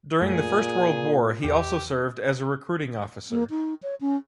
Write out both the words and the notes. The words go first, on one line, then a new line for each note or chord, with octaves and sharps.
During the First World War he also served as a recruiting officer.
F#2 A#2 A3 G#4
A#1 E2 G4
A#3
D#4
C#5
C#4